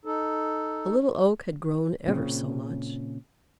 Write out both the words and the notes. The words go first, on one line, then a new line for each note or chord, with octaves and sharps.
The Little Oak had grown ever so much.
D#4 A4
A#2 C#3 C4